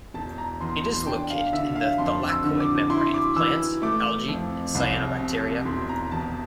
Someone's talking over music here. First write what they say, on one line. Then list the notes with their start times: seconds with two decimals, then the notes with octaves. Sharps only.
It is located in the thylakoid membrane of plants, algae, and cyanobacteria.
0.14 E1 A5
0.38 A#5
0.60 E2 C6
0.83 C6
1.07 D4 G5
1.30 F5
1.53 D3 E5
1.76 F5
1.98 F2 C6
2.29 E6
2.44 D3
2.60 D6
2.90 E4 C6
3.14 D6
3.36 E3 E6
3.82 A3 D6
4.28 F2
4.75 C2
5.20 C3
5.65 E1 C6
5.89 A#5
6.11 E2 A5